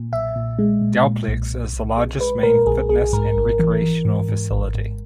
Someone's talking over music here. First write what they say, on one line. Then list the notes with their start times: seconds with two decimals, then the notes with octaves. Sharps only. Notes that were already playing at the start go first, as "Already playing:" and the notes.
Dalplex is the largest main fitness and recreational facility.
Already playing: A#2
0.12 B1 E5
0.36 A#2
0.59 G#3
0.82 A#2
1.04 A#2
1.28 B1
1.51 B1
1.73 B1
1.97 G#3
2.20 G#3 B4
2.43 A#2 A#4
2.66 B1 G#4
2.89 B1 G#4
3.13 G#2 A#4
3.35 G#1
3.59 E3
3.82 E3
4.05 G#2
4.29 G#2
4.51 G#1
4.75 G#2